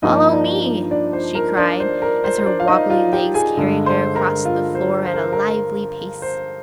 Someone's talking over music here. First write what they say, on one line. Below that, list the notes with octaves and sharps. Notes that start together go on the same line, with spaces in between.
"Follow me!" she cried as her wobbly legs carried her across the floor at a lively pace.
G2 F3 A#3 D#4 D#5
D4 D5
D4 D5
C5
A#4
D4 D5
C5
A#4
C5
C5
D4 D5
F5
D#4 D#5
F4 F5
G4 G5
G#4 G#5
G2 D3 G#3
C5 C6
A#4 A#5
F4 F5
C5
C5
A#4
A#4
C5